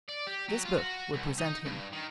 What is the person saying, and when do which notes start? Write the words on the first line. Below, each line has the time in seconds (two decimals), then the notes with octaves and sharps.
This book will present him.
0.09 D5
0.27 G4
0.48 F#3
0.65 F4
0.78 F#4
1.14 C2
1.39 D#4
1.65 G2
1.93 D#3